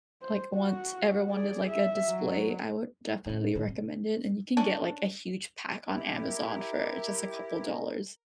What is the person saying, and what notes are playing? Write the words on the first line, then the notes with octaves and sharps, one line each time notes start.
like, want ever wanted, like, a display, I would definitely recommend it. And you can get, like, a huge pack on Amazon for just a couple dollars.
C5
F#4
G#4 D5
E5
F#3
A2 C#3
A2 D3
C3
C#4 D4
E4 G4
A#4